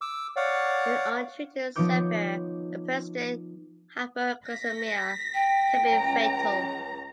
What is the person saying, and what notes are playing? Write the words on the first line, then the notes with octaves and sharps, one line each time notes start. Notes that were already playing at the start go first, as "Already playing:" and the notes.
An untreated severe and persistent hypoglycemia can be fatal.
D6 E6
C#5 D5 F5 F#5
F3 B3 D#4 C#5 D6 G6
A#6 B6
G5
C#2 A#5